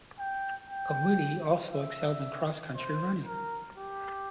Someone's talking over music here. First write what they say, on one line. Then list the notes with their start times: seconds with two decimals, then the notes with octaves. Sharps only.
Gammoudi also excelled in cross country running.
0.19 G5
0.70 G5
1.72 E5
2.75 C5
3.26 A#4
3.77 G4